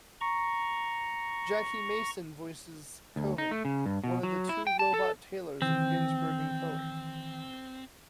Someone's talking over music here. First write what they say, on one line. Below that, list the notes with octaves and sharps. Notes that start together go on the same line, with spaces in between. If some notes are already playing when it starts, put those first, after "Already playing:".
Jackie Mason voices Cohen, one of the two robot tailors of Ginsberg and Cohen.
A#5 C#6
D2
D#4
A3
C#3
G2
B2
F#3
E4
G5
A5
A4
D#3 E3 C4